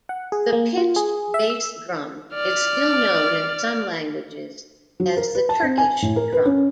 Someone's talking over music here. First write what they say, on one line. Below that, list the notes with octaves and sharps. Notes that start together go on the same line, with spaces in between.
The pitched bass drum is still known in some languages as the Turkish Drum.
F#5
G#4
A#3
F4
G#4
E5
E6
D5 F6
F#3
A#4
B4
A5
C4
G#5
A2
A#4
B4
C#4